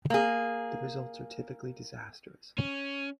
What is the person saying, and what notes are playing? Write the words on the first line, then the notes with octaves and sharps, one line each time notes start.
The results are typically disastrous.
A#3 G#4
C#4